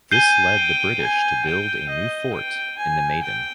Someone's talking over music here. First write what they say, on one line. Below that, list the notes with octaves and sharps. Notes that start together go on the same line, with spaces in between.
This led the British to build a new fort in the Maidan.
G#5 G6 C7 D#7 G7
G5
G#5
G5
D#5
G5
G#5
G5